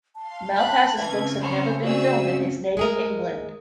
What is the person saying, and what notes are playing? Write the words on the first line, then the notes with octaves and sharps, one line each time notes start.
Malpass's books have never been filmed in his native England.
F5 A5 C6
B5 F#6
C#3 C4 C#4 E4 B4 E5 G#6
C5 C#5 G#5 A5 B5
F#4 G#4 C5 D5 E5 E6
G#3 G#4 A#4